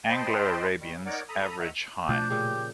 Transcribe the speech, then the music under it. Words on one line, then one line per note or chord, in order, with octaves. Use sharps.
Anglo-Arabians average high.
C5 D#5 G5 A5 B5 C6
D#3 G3
C#3
D#4 A#4 C#5 D5 F#5 D6
A4 A#5 B5 D#6
D#3 E5 F#5 A#5 F#6
B2 F3 A3 D4 G6
A#2 C#3 G4